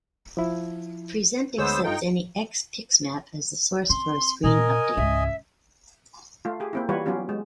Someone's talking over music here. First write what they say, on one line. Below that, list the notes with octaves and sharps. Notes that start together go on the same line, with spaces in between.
Present accepts any X pixmap as the source for a screen update.
F3 E4
D2 G#3 B3 C5 C#5 E6
G2 D#4 F4 A4 G5
C4 C6
A#2 F4 A#4 D#5 G#5
G#1 C#2 E5
A3 F4
G4 G#4
A#3 C4 E4
E3 G3 F4 F#4 B4 C#5
F#3 B3 C#4 F4 G4
G#3